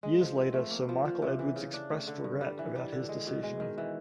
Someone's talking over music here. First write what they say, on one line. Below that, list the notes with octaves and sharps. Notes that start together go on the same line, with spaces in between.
Years later, Sir Michael Edwardes expressed regret about his decision.
G#3
F3
C4
A3
A#3
F3
F3
C3
E3
C#3
D4
A3
D3
G2
G3
E3
G3
D3
G#3
B2
G#3
D#3
E3